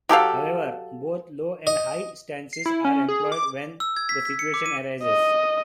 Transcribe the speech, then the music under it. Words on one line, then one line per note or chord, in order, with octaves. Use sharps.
However, both low and high stances are employed when the situation arises.
F#3 G4 A4 F5
D#5
C7
E4
C#4
G#4
D6
E6
G#6
B6
B6
C#7
D6
D#7
D#5